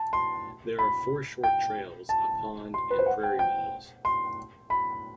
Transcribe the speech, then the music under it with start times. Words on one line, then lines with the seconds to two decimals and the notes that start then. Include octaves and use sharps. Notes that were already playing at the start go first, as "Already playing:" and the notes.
There are four short trails, a pond, and prairie meadows.
Already playing: A5
0.13 C6
0.79 B5
1.43 G5
2.09 A5
2.74 C6
2.90 B4
2.99 C5
3.06 F#5
3.23 G5
3.39 G5
4.05 C6
4.70 B5